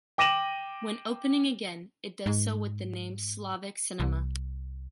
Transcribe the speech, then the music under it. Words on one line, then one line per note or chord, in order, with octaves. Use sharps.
When opening again, it does so with the name Slavic Cinema.
G5 D6 A#6 D#7 E7 F#7
G#2
C2